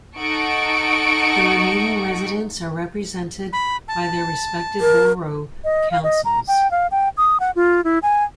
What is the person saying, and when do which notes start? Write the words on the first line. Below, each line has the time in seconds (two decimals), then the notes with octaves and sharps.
The remaining residents are represented by their respective borough councils.
0.18 D#4 A4 F#5 C#6 D7
3.53 B5
3.88 A5
4.81 A#4
5.64 D#5
5.91 F5
6.04 D#5
6.25 A#5
6.48 G5
6.71 F5
6.91 G5
7.17 D#6
7.40 F#5
7.56 F4
7.84 E4
8.03 G#5